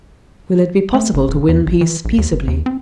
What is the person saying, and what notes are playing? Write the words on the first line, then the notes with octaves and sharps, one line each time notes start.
Will it be possible to win peace peaceably?
A3
F#1
D#1
E2
A1
E3
A#1
D#2
F#1
D#2
C4